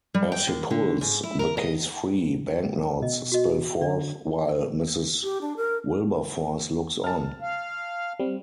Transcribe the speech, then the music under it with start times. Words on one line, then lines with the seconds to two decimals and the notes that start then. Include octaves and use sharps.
As he pulls the case free, banknotes spill forth while Mrs. Wilberforce looks on.
0.14 G3
0.32 G5
0.47 D#2
0.71 D3
1.01 G#2
1.23 E4
1.39 A#4
1.57 D#5
3.02 B2 D#5
3.32 F#4 D#5
3.81 D3 D5
5.23 G4
5.41 D4
5.57 A#4
7.04 A5 F6
7.42 F5
8.19 G3 C4